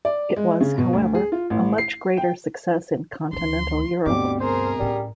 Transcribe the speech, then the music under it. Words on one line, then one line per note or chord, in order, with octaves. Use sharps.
It was, however, a much greater success in Continental Europe.
D5
G#3
C#3
B2
D2
G#4
F4
A1
C7
G5
D2 A3 C6
D2 G2 B2 G3 C4 D6
G#4 A#4 C5
A2 G3 C#4